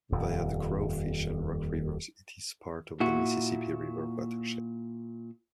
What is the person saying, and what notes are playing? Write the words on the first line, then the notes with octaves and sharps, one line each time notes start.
Via the Crawfish and Rock rivers, it is part of the Mississippi River watershed.
D#1 F2
A#2 E4 F#4